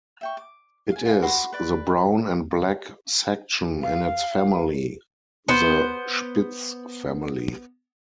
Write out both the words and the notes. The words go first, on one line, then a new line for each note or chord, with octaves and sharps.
It is in the "brown and black section" in its family, the Spitz family.
E5 G5 C#6
D6
F5 G#5
F4 G#5
F#4 B4 B5 C6
B4 D5 D6
F5
B3 C5